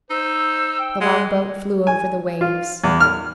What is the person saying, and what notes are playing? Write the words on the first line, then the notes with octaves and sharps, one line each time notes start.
The longboat flew over the waves.
D#4 C5 E6
G5
G#3 F#5
G#5
F4
E2
F6